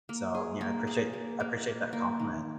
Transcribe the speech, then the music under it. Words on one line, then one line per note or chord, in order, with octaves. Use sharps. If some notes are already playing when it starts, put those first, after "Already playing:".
so, you know, I appreciate I appreciate that compliment.
A#3
G#4
A#3
G#4
A#3
A#3
A#3
A#3
D#3